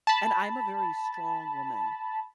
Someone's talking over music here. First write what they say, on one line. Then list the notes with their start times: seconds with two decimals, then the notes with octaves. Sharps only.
And I'm a very strong woman
0.07 A5 B5